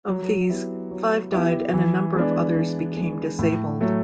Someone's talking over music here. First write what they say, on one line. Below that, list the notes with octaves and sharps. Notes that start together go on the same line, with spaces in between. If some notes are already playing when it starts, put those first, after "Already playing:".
Of these, five died and a number of others became disabled.
F#3
B3 E4 G4
F#3
B3 E4 G4
E3
G#3 B3 D4
E3
G#3 B3 D4
A2
F#3 A3